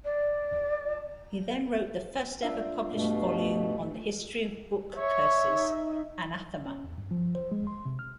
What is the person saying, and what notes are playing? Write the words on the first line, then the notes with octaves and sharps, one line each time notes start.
He then wrote the first-ever published volume on the history of book curses, Anathema!
D5
D4 F4 E5
G2 B2 A3
C#5 E5 C#6
D#4
C#4
E2
G2
F3
C5
G#3
C6
C3
F6